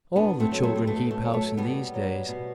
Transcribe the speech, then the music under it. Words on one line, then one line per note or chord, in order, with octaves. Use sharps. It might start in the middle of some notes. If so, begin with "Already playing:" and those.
All the children keep house in these days.
B2 B3 D4
A3 C4
F#3
A3 C4
G3
B2 A3
A3
F#3
A3
B2 G3 B3
F#3
B2